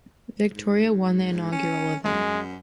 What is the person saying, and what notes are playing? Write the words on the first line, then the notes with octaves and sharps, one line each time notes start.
Victoria won the inaugural event.
G#2
C#4
F#2 G#3